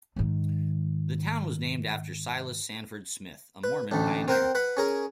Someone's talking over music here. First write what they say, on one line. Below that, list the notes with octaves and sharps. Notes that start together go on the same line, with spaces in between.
The town was named after Silas Sanford Smith, a Mormon pioneer.
G#2 D#3
B4
A1 D2 A3
C4 A#4 F#5 G5
B4 F#5 B5
C#4 G#4 A#4